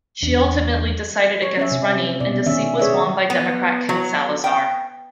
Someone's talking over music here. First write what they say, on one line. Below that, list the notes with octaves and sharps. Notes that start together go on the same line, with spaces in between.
She ultimately decided against running, and the seat was won by Democrat Ken Salazar.
E2 D4
C#5
C#4 C#5 E5
C3
B2 D5
D#3 C#4 E5
G#4 C#5 D5 E5
B3
F#3
G5